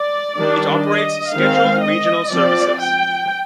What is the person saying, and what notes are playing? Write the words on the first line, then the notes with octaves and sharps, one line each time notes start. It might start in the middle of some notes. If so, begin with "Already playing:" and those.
It operates scheduled regional services.
Already playing: D5
D#3 G3 D4
D#5
D#3 G#3 C4 F5
D#5
F3 C4 D5
G5